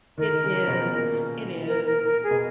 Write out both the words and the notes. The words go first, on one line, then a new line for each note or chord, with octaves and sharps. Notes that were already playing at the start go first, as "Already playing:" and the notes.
It is. It is.
D#3 A#4
D#3
C#3
B2
A#2
A#4
A#4
A#4
G#4
B2